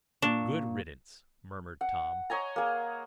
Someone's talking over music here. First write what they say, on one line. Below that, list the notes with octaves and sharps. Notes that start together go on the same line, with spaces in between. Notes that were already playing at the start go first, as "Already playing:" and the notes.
"Good riddance," murmured Tom.
A#2 D4 C#6
F#5
C#5 D#5 G#5 A#5
A#3 G#4